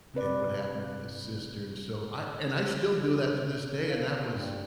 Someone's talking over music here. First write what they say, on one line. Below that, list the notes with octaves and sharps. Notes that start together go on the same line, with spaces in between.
and what happened with his sister, and so, I and I still do that to this day, and that was
C3 C4 B4 D5
F5
G2